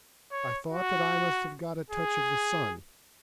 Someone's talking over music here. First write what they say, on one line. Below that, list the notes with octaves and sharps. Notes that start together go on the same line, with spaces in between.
I thought that I must have got a touch of the sun.
C#5
F#4
G#4